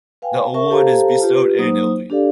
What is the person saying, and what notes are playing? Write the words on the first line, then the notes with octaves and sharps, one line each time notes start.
The award is bestowed annually.
B4 F5 G5 G#5
A#4 E5 A5 C#6
G4 A4 C5 F5 A5 A#5
F4 G4 B4
F#3 A#3 D#4 C5 D#6
D4 G4 A4 D5 F5